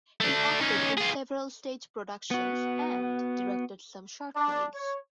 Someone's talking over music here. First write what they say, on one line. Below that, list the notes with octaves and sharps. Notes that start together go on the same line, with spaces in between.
He acted in several stage productions and directed some short plays.
A3 D4
C#4 D#4
F4 G#4
B3 F#4
D4
C#5